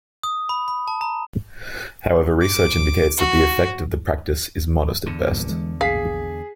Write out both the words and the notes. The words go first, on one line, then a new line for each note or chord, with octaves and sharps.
However, research indicates that the effect of the practice is modest at best.
D#6
B5
B5
A5
A#5
D6
F#4
E2 D3
A#1 G2 A#2
E3 G#3
A#1 G#4 F5 B6 C7